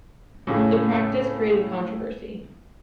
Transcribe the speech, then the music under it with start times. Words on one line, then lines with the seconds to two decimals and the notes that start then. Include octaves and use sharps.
The practice created controversy.
0.47 A2 C#3